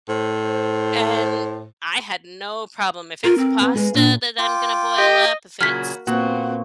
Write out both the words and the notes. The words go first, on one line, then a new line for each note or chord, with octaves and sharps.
And, I had no problem, if it's pasta that I'm gonna boil up, if it's
A2 C5
F4 A#4
C4
B3
G#3 G#4
A#2 D4
F4 G5 D6
G4 D#5
A#2 C#3 F#3 A#3 F#4 F6 B6
A#2 B3 C4 F#4